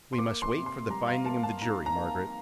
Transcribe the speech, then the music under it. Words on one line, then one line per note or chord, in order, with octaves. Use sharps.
"We must wait for the finding of the jury, Margaret."
C6
A#3 D6
C6
C3
C6
G3 A#5
F5
A#3 A5
A5
D#4 A#5
A#5
A#3